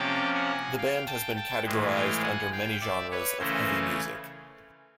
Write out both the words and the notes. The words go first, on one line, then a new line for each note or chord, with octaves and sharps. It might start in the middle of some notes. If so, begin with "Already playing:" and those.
The band has been categorized under many genres of heavy music.
Already playing: C3 F3 A#3 C#4 G5 A5
F#5 G#5
F5 G5
G5 A5
G5 A5
A2 E3 G#3
F5 G5
F#5 G#5
F5 G5
D5 E5
B4 C#5
C#3 E3 A3 C#4 A#4 C5